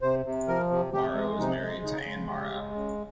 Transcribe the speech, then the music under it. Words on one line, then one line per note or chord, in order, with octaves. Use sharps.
Mara was married to Ann Mara.
C3 C5
C3
F3 A#4
C3
C3 G4
G#3
C3 D#4
G#3
C#3 D#4
G#3
C#3 G4
G#3
C#3